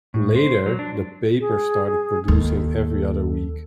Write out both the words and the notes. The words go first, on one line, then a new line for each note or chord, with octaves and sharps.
Later, the paper started producing every other week.
A2
C5
F#3
D4
G#4
D#2 A4